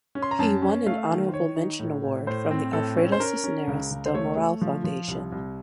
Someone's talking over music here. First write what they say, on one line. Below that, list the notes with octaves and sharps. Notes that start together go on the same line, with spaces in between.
He won an honorable mention award from the Alfredo Cisneros Del Moral Foundation.
C#4
C6
A#5
F#2 A5
C#4
A3 F5
D#3
C5
D#3 C#5
D#4
A2
A2
A2 C5
C4
A2 A4
C#4
C5
C#4 A#4
C#4
C#2
C#2
C5
A3 C#5
A3
F3
F3
C2
C2